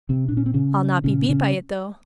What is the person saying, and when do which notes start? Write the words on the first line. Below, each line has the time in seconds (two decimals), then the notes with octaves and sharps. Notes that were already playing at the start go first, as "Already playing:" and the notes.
I'll not be beat by it, though.
0.09 C3 C4
0.28 A#2 D4
0.37 C#4
0.46 C4
0.54 C#3 C#4
1.04 A#2 C#3 C#4
1.29 C#3 C#4